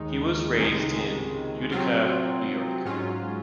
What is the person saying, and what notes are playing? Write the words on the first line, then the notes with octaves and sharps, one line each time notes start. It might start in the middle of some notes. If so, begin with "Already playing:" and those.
He was raised in Utica, New York.
Already playing: D#2 D#3 G#3 D#4
C#2 C3 D#3 G#3
C3 F#3 C4 F4
G#2 F#3 C#4 F4